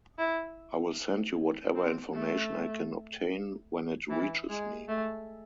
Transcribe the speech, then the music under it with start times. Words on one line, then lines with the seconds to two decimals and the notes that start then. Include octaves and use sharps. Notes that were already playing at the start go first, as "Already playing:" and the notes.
I will send you whatever information I can obtain when it reaches me.
0.19 E4
1.75 C4
2.14 A3
4.10 E3
4.49 G#3
4.88 A3